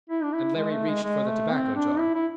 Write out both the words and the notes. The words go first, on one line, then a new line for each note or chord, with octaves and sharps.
And Larry reached for the tobacco jar.
E4
D4
E4
G#3
A3
G#3
G#3
A3
C4
D4
E4
E4